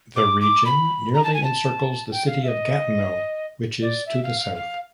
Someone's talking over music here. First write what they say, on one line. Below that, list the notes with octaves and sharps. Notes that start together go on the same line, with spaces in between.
The region nearly encircles the City of Gatineau which is to the south.
D6
D6
B5
A#5
A5
G#5
A5
G5
F5
E5
D#5
D5
E5
F5
F5
F5